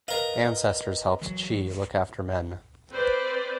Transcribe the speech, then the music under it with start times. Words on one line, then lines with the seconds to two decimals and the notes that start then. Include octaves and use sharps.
Ancestors helped chi look after men.
0.08 A#4 B4 D#5 F5
1.21 E3 F#3
2.89 C4 B4 C5 D5